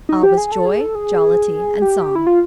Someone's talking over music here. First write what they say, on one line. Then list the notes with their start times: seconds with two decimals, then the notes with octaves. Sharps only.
All was joy, jollity, and song.
0.09 D#4
0.23 G4
0.37 G#4
0.52 A4
0.66 G#4
0.80 A4
0.95 G#4
1.82 G4
2.15 E4
2.27 F4